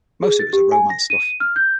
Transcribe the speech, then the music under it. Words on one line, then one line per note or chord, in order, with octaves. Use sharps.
Most of it was the romance stuff.
G#4
A6
G4
G#5
A#6
D#7
F6
G6